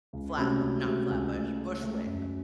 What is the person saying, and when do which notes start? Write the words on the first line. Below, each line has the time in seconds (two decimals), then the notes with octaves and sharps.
Flatbu not Flatbush, Bushwick,
0.13 C#2
0.37 C3 F#3 A3 C#4
0.61 C#2
0.86 C3 F#3 A3 C#4
1.10 C#2
1.34 C#3 A3
1.58 C#2
1.82 C#3 A3
2.07 F#2